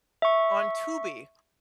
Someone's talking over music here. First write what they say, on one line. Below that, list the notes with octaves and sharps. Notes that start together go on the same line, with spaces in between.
on Tubi
E5 C#6